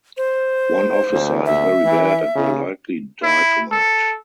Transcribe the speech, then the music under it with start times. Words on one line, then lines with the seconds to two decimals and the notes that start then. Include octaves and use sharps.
One officer is very bad and will likely die tonight.
0.17 C5
1.12 D2
1.46 E5
1.85 E3
2.35 C#3
3.23 E4
3.72 A4